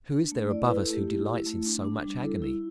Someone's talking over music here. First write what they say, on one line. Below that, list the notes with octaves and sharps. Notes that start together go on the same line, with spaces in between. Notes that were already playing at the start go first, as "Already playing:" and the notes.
Who is there above us who delights in so much agony?
D4
A3
E4 D5
B4
E4
A4
A3 G4
E4
E4
A3
D4
D4
G3
E4 A4
E4